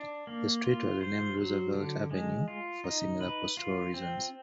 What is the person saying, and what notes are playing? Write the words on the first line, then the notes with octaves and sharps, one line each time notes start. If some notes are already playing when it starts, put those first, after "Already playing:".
That street was renamed Roosevelt Avenue for similar post-war reasons.
Already playing: D4
A#3
F4
C5
F#3
D3
G#3
F4
D#4
B4
F4
C4